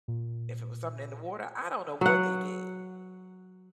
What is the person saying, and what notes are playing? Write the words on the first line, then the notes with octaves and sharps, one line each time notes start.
if it was something in the water, I don't know what they did,
A#2
F#3 F#5